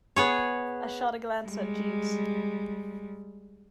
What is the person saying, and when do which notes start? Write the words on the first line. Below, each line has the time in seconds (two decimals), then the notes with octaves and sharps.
I shot a glance at Jeeves.
0.16 B3 G#4 C#5
1.45 G3 G#3